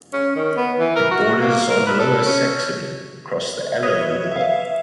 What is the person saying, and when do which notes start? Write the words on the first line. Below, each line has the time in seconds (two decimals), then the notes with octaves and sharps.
It borders on Lower Saxony, across the Aller river.
0.14 C#4
0.36 D#3
0.57 B3
0.80 E3
0.96 A#4
1.11 F#4
1.41 A#3
1.70 A#4
1.86 B4
2.00 A4
2.26 C#4
3.83 B4 C#5 D#5 E5 D#6 G#6
4.31 E5 F5